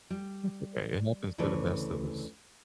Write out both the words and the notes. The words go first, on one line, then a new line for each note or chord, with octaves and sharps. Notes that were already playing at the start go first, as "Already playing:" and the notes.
That's okay. It happens to the best of us.
G3
D2 C#3 E3 A4 C#5 D5